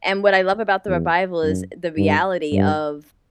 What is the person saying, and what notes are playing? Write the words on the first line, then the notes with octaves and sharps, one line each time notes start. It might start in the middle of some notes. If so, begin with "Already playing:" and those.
And what I love about the revival is the reality of,
E2
F#2
G2
G2